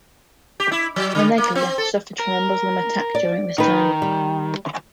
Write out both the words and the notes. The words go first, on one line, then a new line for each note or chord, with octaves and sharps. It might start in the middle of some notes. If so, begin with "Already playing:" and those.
Oneglia suffered from a Muslim attack during this time.
G4
E4
F#3
D3
A#3
C4
A4
A#4
D5
D#3 D#4 B4
G3